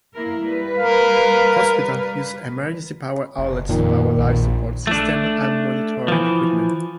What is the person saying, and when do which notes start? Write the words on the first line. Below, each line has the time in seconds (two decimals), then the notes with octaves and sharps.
Hospitals use emergency power outlets to power life support systems and monitoring equipment.
0.14 A#3 E4 A#4
0.44 G3 B4
0.78 A#4 F5
3.38 F#1
3.69 F2 A#2 D#3
4.18 A#1
4.87 A3 D4
6.08 E3 F3